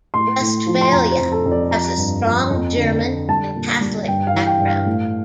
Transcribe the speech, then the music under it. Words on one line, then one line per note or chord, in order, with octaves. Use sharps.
Westphalia has a strong German and Catholic background.
A2 C6
A2
F3
C6
F2 A#5
C5
F2
A4
F2
D5
F3 A#5
G2
F3
F2
D3
D3
G3 A5
A#2
G3
G2 G5
F5
E3
G5
G2
F5
A2